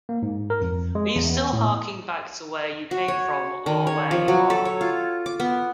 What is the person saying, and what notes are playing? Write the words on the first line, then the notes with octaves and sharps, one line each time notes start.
Are you still harking back to where you came from or where you are?
A#3
G#2
A#4
F2
G#3
E2
B3
A2
F#4
C#5
D#3
C#5
F3
F#3
A4
C#5
F4
D6
B3